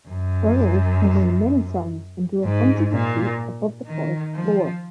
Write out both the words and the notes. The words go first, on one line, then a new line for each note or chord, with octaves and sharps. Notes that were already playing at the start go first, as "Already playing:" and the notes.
Burls can weigh many tons and grow hundreds of feet above the forest floor.
F#2
G#2
A#2
D#3
F3